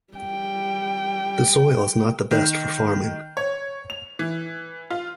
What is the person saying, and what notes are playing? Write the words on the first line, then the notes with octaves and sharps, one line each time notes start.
The soil is not the best for farming.
G3 G5
D#3
C#5
F7
E3
F4